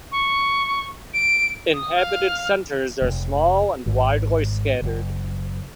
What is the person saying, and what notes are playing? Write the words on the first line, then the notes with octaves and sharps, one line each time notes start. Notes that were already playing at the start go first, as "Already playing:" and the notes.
Inhabited centers are small and widely scattered.
C#6
D7
D#6
F5
F1
G#1
F#1